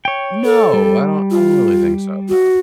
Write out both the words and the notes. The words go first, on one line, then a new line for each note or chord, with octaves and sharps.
No, I don't I don't really think so, no.
C#5 G5
A4
G3
F4
F#4